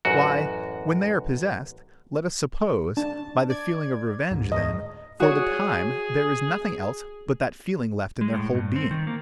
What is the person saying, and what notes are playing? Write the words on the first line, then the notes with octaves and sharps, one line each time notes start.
Why, when they are possessed, let us suppose, by the feeling of revenge, then for the time there is nothing else but that feeling left in their whole being.
A1 F#2 F#4
D4 A5
D5 G#6
D2 G#2
D#5
F#4 G#4 C#5
G#3
A2
G2
C4
D#3
A#3